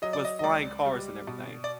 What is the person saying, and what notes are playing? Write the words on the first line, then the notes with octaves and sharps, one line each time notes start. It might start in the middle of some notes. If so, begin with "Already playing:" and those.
with flying cars and everything.
F#3 D#5
D5
D#5
D#5
C#2 D5
G3
B2
D5